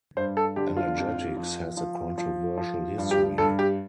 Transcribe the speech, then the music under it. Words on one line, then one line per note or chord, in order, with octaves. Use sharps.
Energetics has a controversial history.
G2 C5
A4
D3 G4
F4
F2
F3
F3
F3
F3
G2
G4
G2 A4
G4